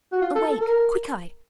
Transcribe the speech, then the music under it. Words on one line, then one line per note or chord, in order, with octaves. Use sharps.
Awake! Quickeye!
F#4
F4
A4
A4
A#4